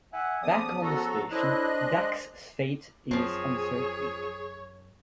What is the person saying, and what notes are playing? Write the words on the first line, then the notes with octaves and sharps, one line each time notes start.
Back on the station, Dax's fate is uncertain.
E5 F#5 G#5
C#3 F3 B3 D5 D#6
F#4 A4 A#5
F#2 D4 E4 A4 C5 D#5 F#6
G#3
F#2 F3 C4 G#4 C#5